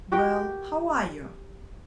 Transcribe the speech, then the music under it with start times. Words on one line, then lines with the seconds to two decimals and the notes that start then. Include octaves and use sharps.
Well, how are you?
0.12 F#4 G4 A#4 G5